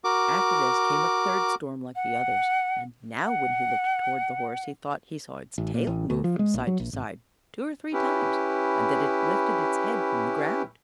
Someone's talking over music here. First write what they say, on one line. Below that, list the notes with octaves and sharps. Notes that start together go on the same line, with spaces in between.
After this came a third storm like the others; and now when he looked toward the horse he thought he saw its tail move from side to side two or three times, and that it lifted its head from the ground.
F#4 A#4 D6
F#5
F#5
A1
A#2
A1
D2
F3
G#3
A#1
F#3
A#1
G#1
C#4 E4 G4 B4